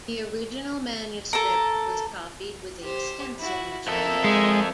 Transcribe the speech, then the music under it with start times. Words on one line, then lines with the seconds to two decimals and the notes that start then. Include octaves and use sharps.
The original manuscript was copied with a stencil machine.
1.33 A4 A#4
2.82 G4 C5
3.39 E4 F#4
3.87 F2 A4 A#4 E5
4.24 G#3